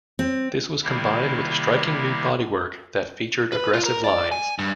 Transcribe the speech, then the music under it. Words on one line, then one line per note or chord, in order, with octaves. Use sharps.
This was combined with striking new bodywork that featured aggressive lines.
C4
C3 D#3 G3 A#3 E4 G4
B4
F4
A#4
D5
G#5
G2